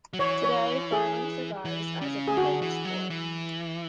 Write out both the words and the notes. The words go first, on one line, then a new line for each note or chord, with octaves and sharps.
Today, birling survives as a competitive sport.
F#3
E3 C#5
C#5
G#4
E3
C#3
G#4
D3 F#4
E3
F#3
E3